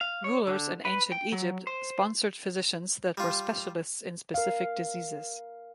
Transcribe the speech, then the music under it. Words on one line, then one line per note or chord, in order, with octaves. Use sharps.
Rulers in Ancient Egypt sponsored physicians that were specialists in specific diseases.
F5
C#5
D3
B4
G5
F#3
C5
G3 F4
A#4 F5